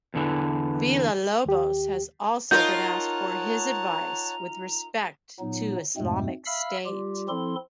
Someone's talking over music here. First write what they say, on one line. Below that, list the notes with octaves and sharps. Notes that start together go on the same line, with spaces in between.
Villalobos has also been asked for his advice with respect to Islamic State.
E2 D3 E3
D#2 G4
D#4 F4 A#4 C#5 F#5 A5 A#5 G6
A#2 F#3 B3 D#4
F2 G#2 B2 G#3 A3 C4
E5 F5 B5 E6 F6
G3 F4 G4
F3 C4 E4 A4 C6